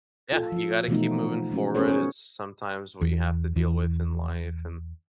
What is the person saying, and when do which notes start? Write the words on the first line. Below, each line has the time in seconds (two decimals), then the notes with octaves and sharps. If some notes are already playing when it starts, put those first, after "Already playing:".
yeah, you gotta keep moving forward, it's sometimes what you have to deal with in life and
0.32 F4 A4
0.52 F3 F4
0.88 B2 E3 F3 A3 B3 D#4
1.52 G#3 C#4 F#4
1.75 B3 C#4 G#4 A#4 C5 C#5
1.88 C#4 C#5
3.01 E2
3.56 E2